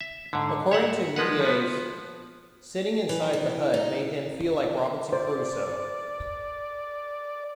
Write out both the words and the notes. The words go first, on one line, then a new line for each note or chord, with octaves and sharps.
According to Millais, sitting inside the hut made him feel like Robinson Crusoe.
E5
G#2 D3
C#5 E5 F#5
F3 G#3 B4 F#5
F3 B3
E3
E3
D#4
C5 D5